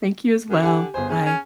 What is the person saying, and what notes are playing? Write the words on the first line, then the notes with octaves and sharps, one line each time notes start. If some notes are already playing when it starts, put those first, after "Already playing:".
Thank you as well, bye.
F#2
D3 G4 G#5
G1 G#4 C5
C#4 G#4 G#5
C#4